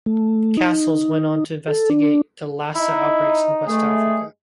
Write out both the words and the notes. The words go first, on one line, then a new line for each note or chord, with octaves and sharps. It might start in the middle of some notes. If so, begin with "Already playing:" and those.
Casals went on to investigate the Lassa outbreaks in West Africa.
A3
D#4
A4
D4
D#4 E4
G2 G#3 A3 G#4